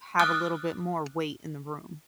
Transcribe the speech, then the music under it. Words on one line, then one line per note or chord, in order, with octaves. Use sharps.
have a little bit more weight in the room.
D6 D#6 F6 F#6 A6